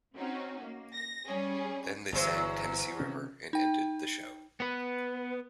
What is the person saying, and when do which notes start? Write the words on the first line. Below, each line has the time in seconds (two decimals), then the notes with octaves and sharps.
Then they sang Tennessee River and ended the show.
0.16 C4 C#4 D#4 F#4
0.61 A#3
0.94 A#6
1.26 G3 C#4 G#4
2.12 G1 E2 F#3 C5
3.00 C3 D#3 C#4
3.53 D#4 G5
4.60 B3 B4